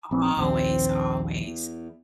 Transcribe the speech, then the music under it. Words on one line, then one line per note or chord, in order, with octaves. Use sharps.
Always, always.
A#1 C4
A#1 D#2 C4
E2